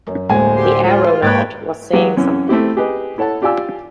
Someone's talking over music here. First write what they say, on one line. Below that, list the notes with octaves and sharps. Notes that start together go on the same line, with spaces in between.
The aeronaut was saying something.
F#2
D1 G#3 A#3 C5 G#5
D3 G4 C6
G#3 F4
G#2 A#3 B4 C#5 G5 F#6 A6
F#3 G#3 G4 F5
F#2 C3 E3 C#4
A3 C4 E4 G4
G4 G#4 B4 D#5
E4 A4 C#5 F#5 A5
F4 G4 D5 F5 G#5 E6